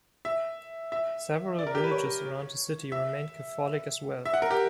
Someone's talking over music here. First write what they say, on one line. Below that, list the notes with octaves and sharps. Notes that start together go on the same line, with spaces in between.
Several villages around the city remained Catholic as well.
E5
E5
D5
A#4
G4
B4
C#5
E5
E5
F#5
A#4
G4